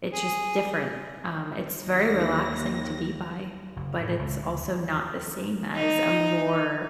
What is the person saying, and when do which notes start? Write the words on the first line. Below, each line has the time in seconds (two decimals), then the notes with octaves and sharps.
It's just different. Um, it's very relaxing to be by, but it's also not the same as a more
0.13 G#4
1.81 D#2 A#6
3.76 F#1
4.00 A2
4.19 C#2
4.38 D2
4.63 D#2
5.76 D#4